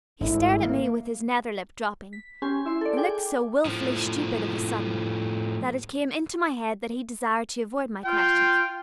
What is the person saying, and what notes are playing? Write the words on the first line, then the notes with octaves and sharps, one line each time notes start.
He stared at me with his nether lip dropping, and looked so wilfully stupid of a sudden that it came into my head that he desired to avoid my questions.
G#1 A3 D4 E4
A#3
B6
C#4 G4 G#5 C6
E4 E5 C6
A4 D5
G#4 G5 G#5 D6
A2 F3
F4 G5